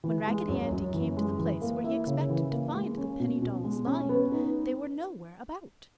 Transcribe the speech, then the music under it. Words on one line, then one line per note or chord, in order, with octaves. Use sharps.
When Raggedy Andy came to the place where he expected to find the penny dolls lying, they were nowhere about.
E3
G#3
F#2
F#2
E3
G#3
E3
A#3
E4
C#3
E3
A#3
G#3
C#4
B2
B2
G#3
C#4
B3
D#4